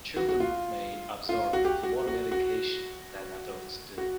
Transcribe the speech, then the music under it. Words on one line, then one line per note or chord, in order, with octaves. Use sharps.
Children may absorb more medication than adults do.
F#4
F#4
F4
F4
F#4
G4
F#4
F#4
F#4
F#4